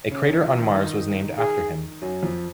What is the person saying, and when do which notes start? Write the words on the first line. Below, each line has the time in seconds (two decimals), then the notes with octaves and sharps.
A crater on Mars was named after him.
0.11 C#3 C#4
0.27 D#3 D#4
0.43 F3 F4
0.58 D#3 D#4
0.75 D#3 D#4
1.38 G#4
2.02 F#2 F#3
2.23 F2 F3